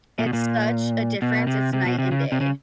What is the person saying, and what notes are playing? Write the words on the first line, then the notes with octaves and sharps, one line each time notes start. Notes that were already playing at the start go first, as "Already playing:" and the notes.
it's such a difference, it's night and day.
A#2
B2
A#2
B2
C3
C3
B2
C3
C#3
C3
C#3